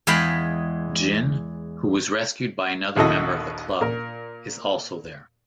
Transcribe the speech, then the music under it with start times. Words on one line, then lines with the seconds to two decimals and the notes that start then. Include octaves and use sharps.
Gin, who was rescued by another member of the club, is also there.
0.07 E2 G#3 D#5 F5 G5 B5
2.96 A#1 D#2 E4 F#4 A4 D#5
3.81 A#2 A#4